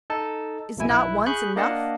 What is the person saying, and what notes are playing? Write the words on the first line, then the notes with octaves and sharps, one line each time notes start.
Is not once enough?
D#4 A4 A5
C2 F2 B2 E4 G#5
B1 E4 F#6
G#4 B5 C#6 F#6 G6
A#3 D4 D#5 F5 F#5 A5